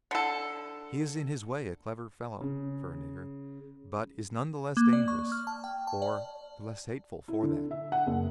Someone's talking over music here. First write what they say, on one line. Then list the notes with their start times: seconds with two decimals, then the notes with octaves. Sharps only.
He is in his way a clever fellow--for a nigger; but is none the less dangerous or the less hateful for that.
0.11 D3 A4
2.41 C#3
4.77 A#3
4.93 D5
5.08 C#6
5.32 F6
5.47 A5
5.64 G5
5.87 A5
6.02 D5
7.28 E4
7.43 D3
7.71 E5
7.92 F#5
8.07 F#1